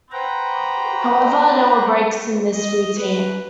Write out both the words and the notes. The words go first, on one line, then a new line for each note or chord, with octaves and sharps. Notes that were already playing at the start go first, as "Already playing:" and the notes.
However, there were breaks in this routine.
B4 C5 F#5 G5 A#5
D#5
B4